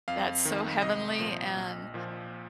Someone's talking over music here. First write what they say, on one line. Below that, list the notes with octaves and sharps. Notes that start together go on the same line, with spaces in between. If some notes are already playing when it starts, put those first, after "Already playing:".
That's so heavenly and,
F2 F5
D#3
C2 D#5
A#2 F3
A#1
A#2 F3